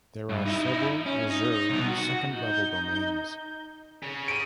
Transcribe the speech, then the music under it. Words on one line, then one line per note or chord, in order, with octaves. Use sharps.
There are several reserved second-level domains.
G2
D#4 E4
C#4
D#4
C2 B2
F#4
D#4 G6
C#3
D7 D#7